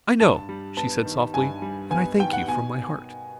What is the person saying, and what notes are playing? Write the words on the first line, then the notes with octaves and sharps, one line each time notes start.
"I know," she said softly, "and I thank you from my heart."
G2 A5
G3
B3 A5
D#3
G2 G#5
G3
B3 G#5
D#3 G5
F#5
B2 G#5